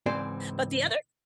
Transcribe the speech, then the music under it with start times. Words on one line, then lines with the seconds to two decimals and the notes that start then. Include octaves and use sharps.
But the other
0.06 C#2 G#2 E3 C4 C5 D5